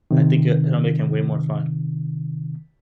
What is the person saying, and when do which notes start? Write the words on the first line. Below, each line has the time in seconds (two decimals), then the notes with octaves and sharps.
I think it it'll make him way more fun.
0.11 C3 D#3